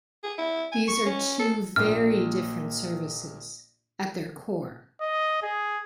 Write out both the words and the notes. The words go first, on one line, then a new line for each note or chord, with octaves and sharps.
These are two very different services at their core.
G#4
E4
G#5
C#6
C#4
A4
A#1 A#2 F6
D#5
G#4